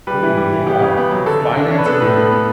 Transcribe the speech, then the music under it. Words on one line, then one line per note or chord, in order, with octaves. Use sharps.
Ooh, yeah. Uh, finance is is a
G3 B4
E3
G3
E3
B3 G4
C#3
B3
F#3
D3 A4
D3
D4
D4 C#5
B4
B3 A4
A2 B4
B3
B3